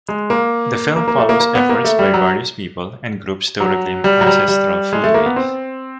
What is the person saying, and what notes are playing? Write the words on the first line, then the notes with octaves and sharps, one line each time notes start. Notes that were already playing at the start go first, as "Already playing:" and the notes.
The film follows efforts by various people and groups to reclaim ancestral foodways.
G#3
A#3
A#3
A#3
A3
A#3
A#3
B3
A#3
A3
G3
F#3
F#3
G3
F#3
G3
G3
G#3
A3
A#3
B3
C4